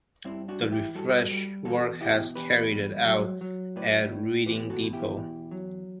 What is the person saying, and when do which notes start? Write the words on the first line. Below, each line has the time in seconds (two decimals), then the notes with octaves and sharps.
The refresh work was carried out at Reading Depot.
0.25 G2 C4 E4
0.48 D4 F#4
0.60 E3
0.72 E4 G4
0.95 G2 F#4 A4
1.30 G3
1.65 E2 F#4 A4
2.01 B2 E4 G4
2.35 E2 G4 B4
2.71 G3
3.06 F#3
3.41 F#3
3.76 A2 B4 D5
4.12 A2
4.46 E2 G4 B4
4.70 F#4 A4
4.81 B2
4.93 E4 G4
5.17 E2
5.51 F#3